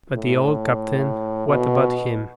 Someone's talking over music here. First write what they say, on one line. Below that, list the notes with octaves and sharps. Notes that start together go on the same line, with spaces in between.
But the old captain, what about him?
A2
B2